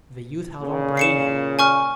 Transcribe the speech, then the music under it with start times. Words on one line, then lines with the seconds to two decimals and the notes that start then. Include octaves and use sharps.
The youth held on bravely.
0.60 A#2 C#3
0.97 C7 C#7 E7
1.59 G#5 C#6 F6